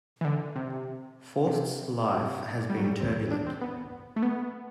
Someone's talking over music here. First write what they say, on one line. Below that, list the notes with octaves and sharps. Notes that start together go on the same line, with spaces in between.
Forst's life has been turbulent.
E3
D3
C3
C3
C3
G3
F#3
G3
C4
D4
C4
B3
A3
B3